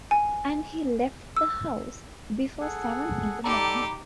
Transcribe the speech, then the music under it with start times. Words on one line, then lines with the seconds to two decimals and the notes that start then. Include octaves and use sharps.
And he left the house before seven in the morning.
0.11 G#5
1.37 E6
2.61 G#4 A4 F#5
3.44 D#4 G4 A4 D5 A#5 B5 D6